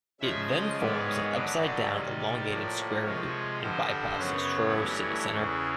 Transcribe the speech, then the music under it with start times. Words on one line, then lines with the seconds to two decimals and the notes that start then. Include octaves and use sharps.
It then forms an upside down elongated square loop, and bypasses Truro City Centre.
0.21 C#3 F3 G#3 E5
0.49 D#5
0.77 G#2 D#3 G#3 B3 D5
1.06 C#5
1.33 G2 D3 F#3 D5
1.91 C3 D#3 G3
2.19 D5
2.48 A2 F3 A#3
3.04 C3 F3 G#3 C#5
3.61 G2 D3 F3 C5
4.17 F#2 C#3 F#3 B3
4.46 C#5
4.74 G2 E3 A3
5.02 C#5
5.30 E2 C#3 E3 C#5